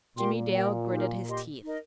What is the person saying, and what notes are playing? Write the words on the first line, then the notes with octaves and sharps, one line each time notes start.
Jimmie Dale gritted his teeth.
A#2 G4 A#4 G5 C6
G4 A#4 G5
D#4 G4 A#4
G4 D#5 C6
D#4 A#4 D#5